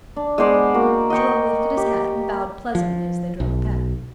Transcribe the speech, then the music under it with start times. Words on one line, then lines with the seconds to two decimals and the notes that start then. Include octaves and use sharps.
Jerome lifted his hat and bowed pleasantly as they drove past.
0.16 D4
0.38 G#3 B3 C5 D5
0.74 A#3 F#4
1.10 D#5 F#5 G5 C#6
1.77 G4
2.75 F3
3.40 B1